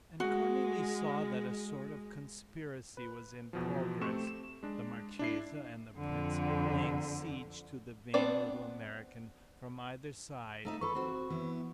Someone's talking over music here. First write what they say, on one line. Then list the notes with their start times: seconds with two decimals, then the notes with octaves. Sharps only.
And Cornelie saw that a sort of conspiracy was in progress, the marchesa and the prince laying siege to the vain little American from either side.
0.20 G#3 F#4
2.97 B4
3.53 E2 B2 F3
4.01 A3 C4 G4 C6 C#6 E7
4.27 E7
4.63 G#3 D4
5.19 D4 E4 C7
5.98 F2 D3
8.14 B3 C4 D4 B4 D5
10.65 A3 D#4 E5
10.81 A4 B4 B5 C#6
10.95 C4 F#4
11.30 E3 B3 E4